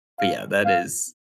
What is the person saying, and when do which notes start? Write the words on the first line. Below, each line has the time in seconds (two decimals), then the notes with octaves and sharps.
but, yeah, that is
0.19 F5
0.65 F5